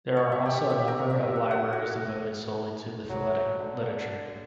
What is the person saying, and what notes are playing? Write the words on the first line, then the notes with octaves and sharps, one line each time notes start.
There are also a number of libraries devoted solely to philatelic literature.
C#5
E5
G4
E5
A#4
E5
F#5
F#5
F#4
F#3
D3